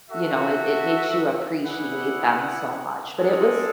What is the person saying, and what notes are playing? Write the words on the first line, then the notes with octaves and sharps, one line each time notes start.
You know, it it makes you appreciate them so much, but it was
F#4 A4 E5
E4 G#4 B4 D5 F#5
G#3 D4 A4